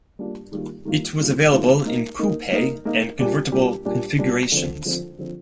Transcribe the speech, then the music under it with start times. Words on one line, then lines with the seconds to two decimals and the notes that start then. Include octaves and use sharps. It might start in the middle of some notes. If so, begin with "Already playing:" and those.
It was available in coupe and convertible configurations.
0.19 G3 A#3 D4 F4
0.52 D#3 G3 A#3 F4
0.85 D#3 G3 A#3 F4
1.19 D#3 G3 A#3 F4
1.52 D#3 G3 A#3 F4
1.85 A#3 D#4 A#4
2.19 A#3 D#4 A#4
2.52 A#3 D#4 A#4
2.85 A#3 D#4 A#4
3.19 A#2 G3 D4 G4
3.52 A#2 G3 D4 G4
3.85 A#2 G3 D4 G4
4.19 A#2 G3 D4 G4
4.52 D3 F3 C4
4.85 D3 F3 C4
5.19 D3 F3 C4